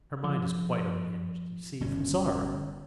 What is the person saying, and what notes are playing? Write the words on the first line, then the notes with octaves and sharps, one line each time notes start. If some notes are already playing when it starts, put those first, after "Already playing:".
Her mind is quite unhinged, you see... from sorrow.
F3
G1 G2 C#4